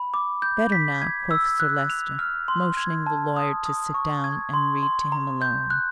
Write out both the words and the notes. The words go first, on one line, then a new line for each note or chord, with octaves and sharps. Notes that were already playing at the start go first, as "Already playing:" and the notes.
"Better now," quoth Sir Leicester, motioning the lawyer to sit down and read to him alone.
Already playing: B5
D6
G6
B6
G#6
E6
F#6
F7
F6
C6
G#6
A5
D#6
D#6
C#6
G#6
C6
C6
A#5
G6
F#6